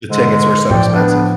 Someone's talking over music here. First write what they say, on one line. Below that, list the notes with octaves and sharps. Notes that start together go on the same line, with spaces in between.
The tickets were so expensive.
G#2 D3 G#3
A2 F3 D5 G5
B3 D4